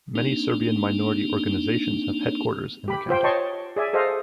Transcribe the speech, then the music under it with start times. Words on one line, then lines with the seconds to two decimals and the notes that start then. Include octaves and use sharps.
Many Serbian minority organizations have headquarters in the county.
0.15 A#3 C4 D4 D#4
2.88 G4 B5
3.09 F4 C5 G5
3.24 C#5 D#5 G5 A5 C6 C#6
3.76 G#4 D5 E5 G#5
3.93 G#4 A4 C5 D#5 F5